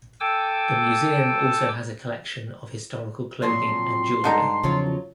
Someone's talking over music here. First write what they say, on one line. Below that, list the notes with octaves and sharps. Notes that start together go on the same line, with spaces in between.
The museum also has a collection of historical clothing and jewellery.
A4 G5 G#5 D6 E6
F2 A#2 F#3 C6
G#2 D3 G3 D#4 A#5
E2 C#3 F3 F#3 F4 C#5